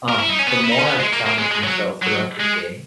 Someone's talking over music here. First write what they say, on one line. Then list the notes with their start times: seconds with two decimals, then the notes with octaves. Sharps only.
um, the more I've challenged myself throughout the day,
0.09 A#4
0.20 E4
0.30 D#4
0.39 C#4
0.48 B3
0.64 E4
0.71 D#4
0.79 C#4
0.87 B3
1.00 G#3
1.13 A#3
1.26 A#3
1.39 G#3
1.51 G#3
1.64 F#3
2.03 F#3
2.41 G#3